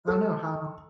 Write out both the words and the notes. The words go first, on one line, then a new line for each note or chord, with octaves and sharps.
I don't know how
A4